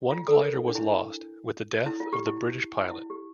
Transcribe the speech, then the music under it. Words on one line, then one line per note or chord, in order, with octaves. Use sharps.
One glider was lost with the death of the British pilot.
F4
A4
A#4
E4
D4
E4
D4
E4
F4
G4
E4
E4
G4